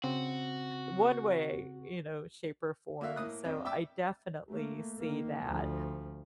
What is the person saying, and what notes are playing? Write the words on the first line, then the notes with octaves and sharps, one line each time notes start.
One way, you know, shape or form, so, I definitely see that,
C#3 C4 F#4
A#3 F#4 E5 F5
A2 A#3 D#6 F#6
A#1 F2 D#5
E5 G5 D6 E6
A3 A#3
D#3 A#3
D2 F3